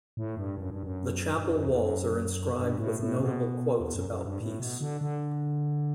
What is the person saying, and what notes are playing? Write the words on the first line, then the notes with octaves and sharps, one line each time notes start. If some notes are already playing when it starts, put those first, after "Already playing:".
The chapel walls are inscribed with notable quotes about peace.
A2
G2
F#2
G2
F#2
G2
F#2
E2
F#2
G2
A2
A2
B2
E2
F#2
F#2
G2
A2
B2
D3
D3